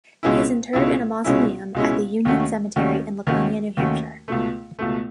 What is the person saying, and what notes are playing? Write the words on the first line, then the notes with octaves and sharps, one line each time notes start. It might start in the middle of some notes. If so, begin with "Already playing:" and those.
He is interred in a mausoleum at the Union Cemetery in Laconia, New Hampshire.
C#2 B2 G#3 C#4 E4
C#2 B2 G#3 C#4 E4
C#2 B2 G#3 C#4 E4
C#2 B2 G#3 C#4 E4
D#2 D#3 A3 C#4 F#4
D#2 D#3 A3 C#4 F#4
D#2 D#3 A3 C#4 F#4
D#2 D#3 A3 C#4 F#4
C#2 B2 A3
C#2 B2 A3